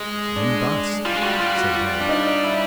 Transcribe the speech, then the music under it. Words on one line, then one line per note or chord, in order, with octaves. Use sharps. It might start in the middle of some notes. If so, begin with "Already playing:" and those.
"Then bust," said Harry.
Already playing: G#3
D4
G3 F4
G#3
G3 F#4
F4
F#4
F4
D4
D#4
E4